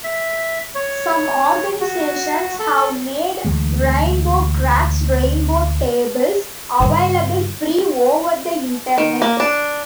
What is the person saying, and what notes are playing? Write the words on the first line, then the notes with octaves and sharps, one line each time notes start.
Some organizations have made RainbowCrack's rainbow tables available free over the internet.
E5
C#5
F#4
A4
D2 E3 G#3
G2 C#3
D#3
A#3
D4